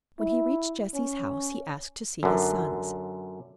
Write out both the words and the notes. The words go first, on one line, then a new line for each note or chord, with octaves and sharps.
When he reached Jesse's house, he asked to see his sons.
E4
C#4
F#2 D3